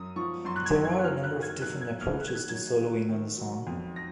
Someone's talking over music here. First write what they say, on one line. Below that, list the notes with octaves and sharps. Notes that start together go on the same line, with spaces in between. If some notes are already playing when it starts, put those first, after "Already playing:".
There are a number of different approaches to soloing on the song.
Already playing: F#2 D#6
F3 C#6
F#2 C6
F#6
G#6
F#2
G#6
F#6
F#3 F6
F#6
D#3
G#6
F#3 F#6
G#6
F#2
F6
D#3 F#6
G#6
F#6
F#3 G#6
D#3
D#3
F#3
F2
A#6